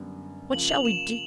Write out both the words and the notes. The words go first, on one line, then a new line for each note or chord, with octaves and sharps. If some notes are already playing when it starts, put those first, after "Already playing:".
What shall we do?
Already playing: F#2 D3 G3 B3
C#3 F3 A#3 F#7
F#7
F7
E7